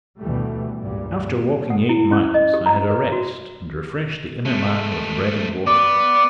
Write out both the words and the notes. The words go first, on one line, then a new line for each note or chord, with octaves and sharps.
After walking eight miles, I had a rest, and refreshed the inner man with bread and water.
D2 B2 E3 G3 A3
C#2 G2 A#2 G3
F#5
E4
C#4
D#5
G4
A#5
B4
F#4
G#3 A3
B3 D5